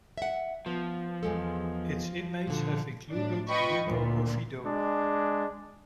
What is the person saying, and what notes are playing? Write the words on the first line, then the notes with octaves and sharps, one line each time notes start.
Its inmates have included Lino Oviedo.
E5 F#5
F3 B3
E2 G#3 A4
A#2 D3
A2 D4
F4 B4 D#5 G5 B5 C#6
D2 A#2
G#3 D4